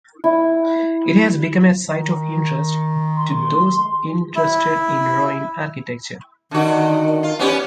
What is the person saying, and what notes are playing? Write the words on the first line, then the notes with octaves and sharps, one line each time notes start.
It has become a site of interest to those interested in ruined architecture.
E4
D#3
C6
E4
D3 D#3 F#4
F4
B3 C#4 G4